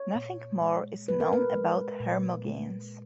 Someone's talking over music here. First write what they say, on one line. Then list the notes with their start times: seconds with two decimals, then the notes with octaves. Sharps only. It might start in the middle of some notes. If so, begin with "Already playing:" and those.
Nothing more is known about Hermogenes.
Already playing: C#5
0.15 A#2
0.61 G#3
1.08 A#2 B4
1.20 A#4
1.33 B4
1.55 G#3
2.00 A#2
2.47 G#3